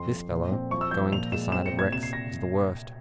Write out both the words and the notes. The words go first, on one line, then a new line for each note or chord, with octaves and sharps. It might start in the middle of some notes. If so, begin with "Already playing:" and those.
This fellow"--going to the side of Rex--"is the worst.
Already playing: F2 C6
F2
A#2
C4
F3 C#6
E6
F3 G6
A#2 F7
G#3 E7
C4 E7
C#7
A#2
G#6
C3 E7
C7
C3 A#6